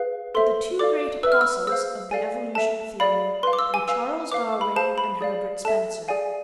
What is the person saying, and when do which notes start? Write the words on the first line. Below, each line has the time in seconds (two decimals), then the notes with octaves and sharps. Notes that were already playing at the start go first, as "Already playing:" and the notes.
But the two great apostles of the evolution theory were Charles Darwin and Herbert Spencer.
Already playing: G#4 B4 F5
0.35 A4 C5 E5 C6
0.79 A4 D5 F5 D6
1.23 B4 E5 E6
1.32 F6
1.41 E6
1.67 G#4 C5 F5 E6
2.11 A4 D5 F5 G#5
2.55 A4 E5 A5
3.00 G#4 D5 F5 B5
3.43 B4 F5 C6
3.53 D6
3.59 E6
3.74 G#5
3.88 B4 F5 E6
4.32 B4 F5 D6
4.61 B5
4.76 G#4 C5 F5 A5
4.98 B5
5.21 G#4 D5 F5
5.65 A4 E5 A5
6.08 G#4 D5 F5 G#5